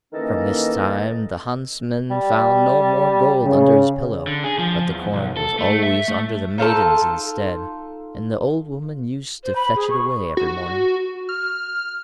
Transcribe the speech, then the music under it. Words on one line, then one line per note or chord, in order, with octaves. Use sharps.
From this time the Huntsman found no more gold under his pillow; but the coin was always under the Maiden's instead, and the Old Woman used to fetch it away every morning.
D#3 E3 A#3 C#4 A4 D#5
G3
C#3
D3
G#4
F3
E2
B1
A4
A3
E5
A3
D#4 F4 A4 A5
C5
B5
G#4
C#6
F#4
F6